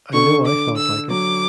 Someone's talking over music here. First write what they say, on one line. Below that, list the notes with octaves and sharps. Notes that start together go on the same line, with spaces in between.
I know I felt like it.
D3 C#6
D6
E6
F#3 D6